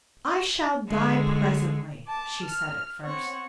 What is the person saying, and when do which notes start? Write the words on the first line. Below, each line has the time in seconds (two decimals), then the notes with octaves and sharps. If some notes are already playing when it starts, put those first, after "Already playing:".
"I shall die presently!" she said at first.
0.88 D3 G#3
2.06 A5 D6
2.42 F6
3.02 C4 C#5 F#5